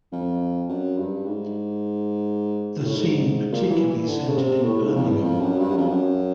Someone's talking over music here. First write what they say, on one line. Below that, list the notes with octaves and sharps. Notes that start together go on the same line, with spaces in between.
The scene particularly centered in Birmingham.
F2
F#2
G2
G#2
A2
G#2
A#2
E3
E3
D3
C#3
C3
A2
G#2
F2
E2
F2
F#2
G2
F#2
F2
F#2